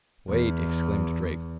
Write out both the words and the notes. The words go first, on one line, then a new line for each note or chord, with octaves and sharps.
"Wait!" exclaimed Drake.
E2